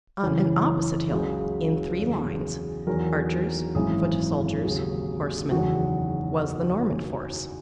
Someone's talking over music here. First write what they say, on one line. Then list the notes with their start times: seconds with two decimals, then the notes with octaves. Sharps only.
On an opposite hill, in three lines, archers, foot-soldiers, horsemen, was the Norman force.
0.23 F#1 F#2 E3 C#4
1.11 C#2 C#3 F#3 G#4
1.99 E2 C#3 F#3
2.87 E2 D#3 F#3 A#4
3.75 G#1 F#2 E3 G#3 G#4
4.63 D#2 C#3 F#3
5.51 F#1 E2 D#3 F#3 F#4